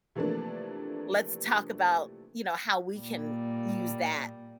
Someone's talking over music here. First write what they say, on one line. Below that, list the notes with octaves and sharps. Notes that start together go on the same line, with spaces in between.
"let's talk about," you know, "how we can use that,"
C3 E3 F3 A3 A#3 D4
A#2 G3